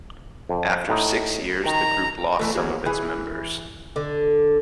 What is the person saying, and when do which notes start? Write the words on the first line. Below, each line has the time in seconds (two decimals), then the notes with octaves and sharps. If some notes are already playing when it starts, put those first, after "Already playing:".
After six years the group lost some of its members.
0.49 F2
0.89 A2 D#4
1.65 D#3 A#5
2.39 E2 E3 A3
2.55 D#2 F#4 G#4
2.86 E3 G#4
3.96 D3